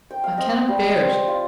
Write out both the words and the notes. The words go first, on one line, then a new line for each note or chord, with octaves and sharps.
'I cannot bear it.
G5
F5
C4 D#5
G3
C4
F4